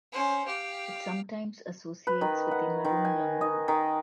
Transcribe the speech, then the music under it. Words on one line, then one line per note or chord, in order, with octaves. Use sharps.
It sometimes associates with the maroon langur.
C#4 C5
G4 F5
B4
D#3
F#5
D#3
G#5
D#5
D#3